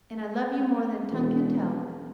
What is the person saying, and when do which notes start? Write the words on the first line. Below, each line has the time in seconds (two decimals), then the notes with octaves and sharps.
And I love you more than tongue can tell.
1.11 E1